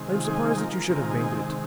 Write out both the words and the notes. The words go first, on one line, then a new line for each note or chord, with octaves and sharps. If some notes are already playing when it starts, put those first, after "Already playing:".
I am surprised that you should have made it.
Already playing: C3 D#3 G#3
F4
D#4 G#4
G#4
F4 A#4
C3 D#3 G#3 F4 A#4
D#4 G#4